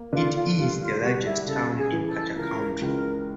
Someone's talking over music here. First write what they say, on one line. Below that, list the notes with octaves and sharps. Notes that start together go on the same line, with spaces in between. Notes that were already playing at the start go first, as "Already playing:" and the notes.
It is the largest town in Carter County.
Already playing: A#3
D3 F4
F4
G3 F4
F4
G3 F#4
E4
C#3 A4
G#4
E3
A4
C#2 A#4
C#2 A#4